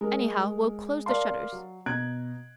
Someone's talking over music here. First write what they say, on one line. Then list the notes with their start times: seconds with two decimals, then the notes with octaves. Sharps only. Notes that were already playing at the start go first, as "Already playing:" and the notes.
Anyhow, we'll close the shutters.
0.01 G#3 A#4
1.06 A#4 D5 F5 A5 C6
1.52 F#3
1.86 B2 A#5 F#6 G#6 D7